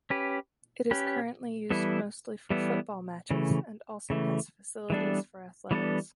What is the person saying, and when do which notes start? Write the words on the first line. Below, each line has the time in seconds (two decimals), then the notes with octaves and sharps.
It is currently used mostly for football matches and also has facilities for athletics.
0.10 C#4 G4 B4
0.91 C#4 G4 B4
1.70 E3 G3 B3 E4 A4
2.50 E3 G3 B3 E4 A4
3.31 C#3 E3 A3
4.10 C#3 E3 A3
4.90 E3 G3 B3 D4 A4
5.71 E3 G3 B3 D4 A4